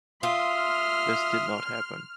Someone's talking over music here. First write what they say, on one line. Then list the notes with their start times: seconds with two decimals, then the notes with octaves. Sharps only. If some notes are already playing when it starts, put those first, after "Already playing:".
This did not happen.
0.23 F4 E5 C6 D#6 F6